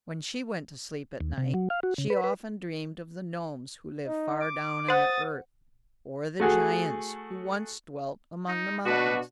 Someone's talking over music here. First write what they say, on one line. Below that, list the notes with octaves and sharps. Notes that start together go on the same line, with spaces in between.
When she went to sleep at night, she often dreamed of the gnomes who live far down in the earth, or the giants who once dwelt among the mountains.
D#2
C3
F#3
F5
F#4
C#3
B4
B4
D#4
D6
C5 F#5 D#6 A6
A3 F#4 G#4
D#4
B2 D4 F#4 B4